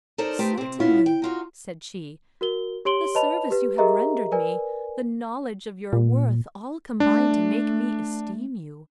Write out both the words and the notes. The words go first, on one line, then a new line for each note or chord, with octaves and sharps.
"Certainly," said she, "the service you have rendered me, the knowledge of your worth, all combine to make me esteem you."
D#4 A4 A#4 C5 D5
A3 D#4 G4 B4 C5
C3 C4
B2 B3 C#4 E4 F4
G5
D#4 F4 F#4
F#4 A#4 G7
G4 C#5 C6 D7 F#7 G7
B4 C#5 D#5 A5 B5 F7
G4 B4
G4 G#4 A#4 D#5 E5 A#5
A#4 B4 D5 G#5
A#2
A3 D4